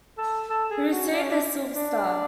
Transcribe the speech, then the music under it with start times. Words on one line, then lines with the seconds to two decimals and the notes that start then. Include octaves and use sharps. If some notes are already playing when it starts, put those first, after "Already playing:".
He received the Silver Star.
0.18 A4
0.50 A4
0.70 G#4
0.92 F#4
1.13 D4
1.21 C#4
1.31 D4
1.75 D4